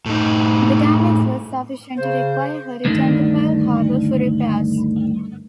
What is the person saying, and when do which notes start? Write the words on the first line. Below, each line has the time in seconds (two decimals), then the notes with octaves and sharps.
The damage was sufficient to require her return to Pearl Harbor for repairs.
0.06 A2 D#4
1.97 C#3 C5
2.85 D2 G2 D3 D#3